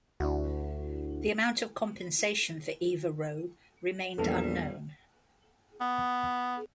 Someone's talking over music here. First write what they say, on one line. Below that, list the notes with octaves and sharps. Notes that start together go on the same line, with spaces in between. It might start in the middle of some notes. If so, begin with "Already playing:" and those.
The amount of compensation for Eva Rowe remained unknown.
D2 D4 E4 F#4
A#1 E2 A#2 E3 G3 B3 A4
B3